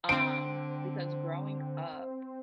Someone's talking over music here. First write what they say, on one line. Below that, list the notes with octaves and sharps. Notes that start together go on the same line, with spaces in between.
um, because growing up,
D3 C4 C5 D7